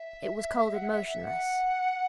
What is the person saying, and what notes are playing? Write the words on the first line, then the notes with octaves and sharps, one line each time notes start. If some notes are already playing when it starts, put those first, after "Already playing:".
It was cold and motionless.
Already playing: E5
F#5
E5
E5
F#5